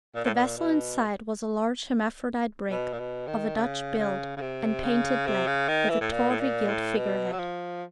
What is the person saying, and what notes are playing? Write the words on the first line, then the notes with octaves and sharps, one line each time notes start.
The vessel in sight was a large hermaphrodite brig, of a Dutch build, and painted black, with a tawdry gilt figure-head.
A#2
A2
A#2
B2
B2
A#2
B2
D#3
C#3
C#3
C#3
C3
C#3
C3
C#3
D#3
E3
A2
A#2
A2
A#2
A2
B2
F#3
F3